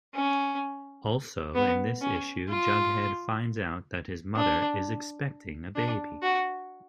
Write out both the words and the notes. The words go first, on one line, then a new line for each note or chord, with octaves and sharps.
Also, in this issue Jughead finds out that his mother is expecting a baby.
C#4
B3
C#4
F4
D4
D4
F#4